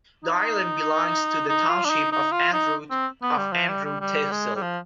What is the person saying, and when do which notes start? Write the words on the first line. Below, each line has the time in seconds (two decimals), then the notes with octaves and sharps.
The island belongs to the township of Andrott of Andrott Tehsil.
0.23 D#4
1.49 D#4
1.69 F4
1.85 D4
1.90 D#4
2.12 D#4
2.32 F4
2.53 D#4
2.90 C4
3.22 B3
3.37 G3
3.52 F3
3.69 G3
3.85 G3
4.00 G3
4.31 G#3
4.56 G3
4.62 F3